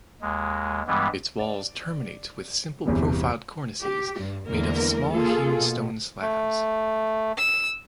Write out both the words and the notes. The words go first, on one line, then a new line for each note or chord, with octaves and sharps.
Its walls terminate with simple profiled cornices made of small hewn stone slabs.
D#2 G#3
G2 E3 G3 G#3 B3
D5
G1 E2 C3 E3
G4
G2
E2 D3 E3 G#3 A#3 A#4
A#3 F4 G#4 A4
B2
A3
E6